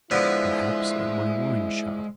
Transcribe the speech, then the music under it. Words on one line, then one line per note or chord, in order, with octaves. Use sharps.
"Perhaps at my wine-shop?"
D3 F3 G#3 B3 E4